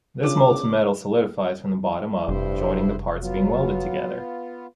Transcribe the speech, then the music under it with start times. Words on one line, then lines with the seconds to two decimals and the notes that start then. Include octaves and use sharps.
This molten metal solidifies from the bottom up, joining the parts being welded together.
0.23 C#3 D4 F4 G#4 D6
2.28 F1 D2 G2 E4 C5
3.21 F#3 B3 F4